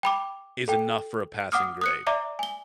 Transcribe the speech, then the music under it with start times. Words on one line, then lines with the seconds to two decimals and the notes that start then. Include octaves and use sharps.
is enough for a passing grade."
0.03 G5 B5 D6
0.68 A4 G5
1.52 F#5 D6 D#6 F6
1.81 D#6 F#6 C#7
2.07 D5 E5 A#5 D6
2.39 G#5 G7